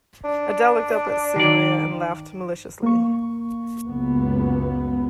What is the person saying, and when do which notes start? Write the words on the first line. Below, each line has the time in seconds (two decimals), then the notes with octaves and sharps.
Adele looked up at Celia, and laughed maliciously.
0.24 D4
1.36 D#3 D5
2.83 A#3 C#6
3.86 C#2 F#2 B3